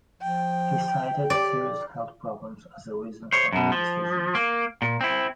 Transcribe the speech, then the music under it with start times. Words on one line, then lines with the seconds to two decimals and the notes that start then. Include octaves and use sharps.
He cited serious health problems as a reason for his decision.
0.22 F3 G5
1.30 G4 D5
3.32 C5 C#5
3.52 F#2 B2
3.72 F3
4.35 A#3
4.82 A#2
5.01 C4 E4